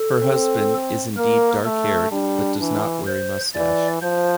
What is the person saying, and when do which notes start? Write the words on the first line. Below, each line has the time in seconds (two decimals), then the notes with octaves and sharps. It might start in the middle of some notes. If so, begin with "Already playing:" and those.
Her husband is indeed dark haired but does not wear a mustache.
Already playing: A4
0.23 C4
1.17 A#3 A#4
1.64 A3 A4
2.12 G3 D4
2.60 E3
3.07 C5
3.55 E3 D5
4.02 F3 C5